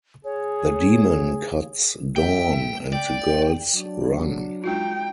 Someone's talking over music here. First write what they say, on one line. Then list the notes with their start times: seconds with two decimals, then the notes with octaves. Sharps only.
The demon cuts Dawn and the girls run.
0.25 G#4 C#5
2.16 E5 G5
2.92 D5 G5
3.75 F#3 D4
4.64 G#3 D#4 F4 F#4 G5